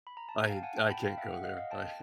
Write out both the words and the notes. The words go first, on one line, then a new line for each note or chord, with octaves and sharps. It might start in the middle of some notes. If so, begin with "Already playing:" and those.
I I can't go there. I
B5
A#5
A5
G#5
F5 G5
A5
F#5 G#5
G5 A5
A5 B5
F5 G5
E5 F#5
F#5
D#5 F5
D#5 F5
G5 A5